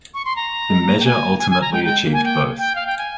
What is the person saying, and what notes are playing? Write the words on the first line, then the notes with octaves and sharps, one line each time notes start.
The measure ultimately achieved both.
C#6
C6
A#5
G#3
A#3
G5
G#5
G#5
G#5
A#5
G#3 G5
G5
G#3
A#3
G#5
G5
G5
F5
G5
G#5